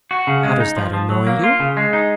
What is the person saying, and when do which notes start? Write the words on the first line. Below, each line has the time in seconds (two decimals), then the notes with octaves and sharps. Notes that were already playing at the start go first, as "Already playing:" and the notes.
"How does that annoy you?"
0.11 F#4
0.27 C#3
0.43 G#3
0.60 D#4
0.77 F3
0.93 F3
1.10 F#3
1.27 A#3
1.44 F4
1.60 C#3
1.77 G#3
1.93 D#4